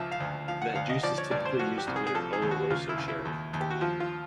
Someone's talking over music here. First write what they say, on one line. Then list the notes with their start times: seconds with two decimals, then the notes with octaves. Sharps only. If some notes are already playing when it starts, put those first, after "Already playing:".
That juice is typically used to make oloroso sherry.
Already playing: C#2 F3 E5
0.11 F5
0.20 D2
0.48 F3 F5
0.62 F#5
0.75 D2 F5
0.89 D#5
1.03 F3 D5
1.18 C#5
1.31 G2 D5
1.45 C5
1.59 F3 F#4
1.78 G4
1.87 C2
1.96 G#4
2.07 G#4
2.15 F3 A4
2.33 G#4
2.42 D#2
2.51 F#4
2.70 C#2 F4
2.89 E4
2.97 C#2
3.08 E4
3.25 D#2
3.53 D#2
3.61 G4
3.70 F#4
3.81 F3 F4
4.00 F4